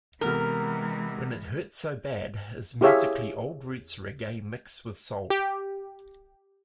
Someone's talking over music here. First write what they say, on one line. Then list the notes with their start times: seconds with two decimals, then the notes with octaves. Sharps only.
"When It Hurts So Bad" is musically old roots reggae mixed with soul.
0.21 C3 E3 G#3 B3 A#4 F6
2.81 E4 G4 G#4 C#5 E5 F5
5.30 G4